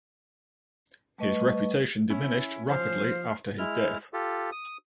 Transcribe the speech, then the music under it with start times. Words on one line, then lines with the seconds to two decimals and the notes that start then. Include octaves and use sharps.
His reputation diminished rapidly after his death.
1.18 G3 A3 B4 D#5 C#6
2.10 C#4 E4
2.69 F3 C5 F5
3.58 G#3 E4 F6
4.13 F4 G4 A4
4.52 D#6